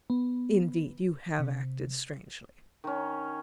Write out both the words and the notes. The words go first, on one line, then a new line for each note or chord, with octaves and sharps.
Indeed, you have acted strangely.
B3
C3
D#3 C#4